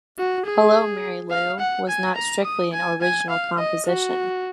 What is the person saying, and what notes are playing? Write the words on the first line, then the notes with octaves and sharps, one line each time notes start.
"Hello Mary Lou" was not strictly an original composition.
F#4
G#4
F5
F#5
G#5
A#5
D#6
G#5
G#5
F5
D#5
F#4